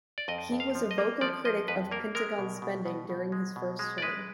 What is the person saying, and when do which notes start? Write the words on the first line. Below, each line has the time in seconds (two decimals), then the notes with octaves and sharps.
He was a vocal critic of Pentagon spending during his first term.
0.18 D5
0.28 F2 D#5
0.52 F2
0.60 F5
0.75 F3
0.91 D#5
0.98 A#3
1.21 F3 D5
1.45 F3 D#5
1.68 F2 B4
1.91 A#3 A#4
2.15 G#3 A#4
2.38 B2
2.62 B2
2.86 B2
3.10 B2
3.32 G#3
3.56 B2
3.79 G#3
3.98 D5
4.02 G#3 B4